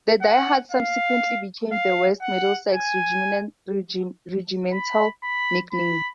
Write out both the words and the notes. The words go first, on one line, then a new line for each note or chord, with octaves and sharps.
The 'Die Hards' subsequently became the West Middlesex's regimental nickname.
F#5
F5
F5
F#5
G#5
B5
B5
B5